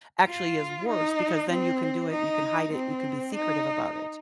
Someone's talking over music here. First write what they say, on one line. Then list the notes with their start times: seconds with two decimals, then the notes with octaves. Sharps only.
actually is worse because then you can do it and you can hide it, you can be secretive about it.
0.27 F4
0.89 D#4
1.50 C4
2.12 D#4
2.73 C4
3.34 D#4